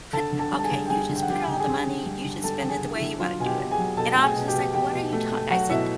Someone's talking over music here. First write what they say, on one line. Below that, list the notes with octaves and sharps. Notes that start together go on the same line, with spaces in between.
put okay you just put all the money, you just spend it the way you want to do it. And I was just like, what are you talk I said,
D3 A4 A5
D3
A4 A5
G3
A5
G#4 G#5
D3
G5
G3 G#4 G#5
D3
G5
F#5
G3 G4 G5
G#5
D3 G5
G#4 G#5
D3
D3
G3
D3
G3 A4 A5
D3 A5
G#4 G#5
D3
E4 E5
D3
F#3 F4 F5
B2 G#5
G4 G5
B2
G#4 G#5
F#3
B2 A4 A5
A3 G5
G#4 G#5
B2
G4 G5
B2
B2 G4 G5
B2
A3
A3
F#3 F#4 F#5
B2 E4 E5